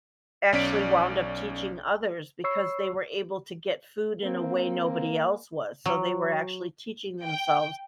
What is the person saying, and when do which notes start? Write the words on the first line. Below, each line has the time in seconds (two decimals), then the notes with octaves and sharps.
actually wound up teaching others because they were able to get food in a way nobody else was, so, they were actually teaching themselves
0.53 B1 C#4 D5 B6 D7
2.44 C#5 B5 C#6 E6 C7
4.24 A#3 C4
5.86 F#3
7.25 G5